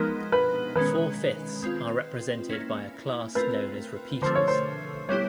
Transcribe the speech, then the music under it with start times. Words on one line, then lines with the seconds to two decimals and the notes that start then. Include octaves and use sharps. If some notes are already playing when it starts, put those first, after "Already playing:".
Four-fifths are represented by a class known as repeaters.
Already playing: F3 G#3 B3 D#4 A#4
0.32 B4
0.76 D#3 G#3 C#4 B4
1.62 G#3 C4 F4
2.49 A#3 C#4 E4
3.35 A3 C4 F4 A#4 B4
4.22 D3 F3 A3 C5
4.35 C#5
4.48 C5
5.09 G3 B3 E4 G4 C#5